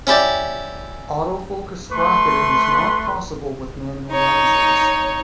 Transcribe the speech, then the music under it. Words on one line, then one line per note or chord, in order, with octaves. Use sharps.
Auto focus bracketing is not possible with manual lenses.
C#4 E4 G4 D5
A3 B4 C6 C#6
D#4 C#5